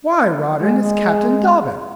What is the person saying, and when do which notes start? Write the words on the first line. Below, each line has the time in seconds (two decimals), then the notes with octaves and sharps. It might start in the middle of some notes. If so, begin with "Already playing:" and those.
"Why, Rawdon, it's Captain Dobbin."
0.61 G#3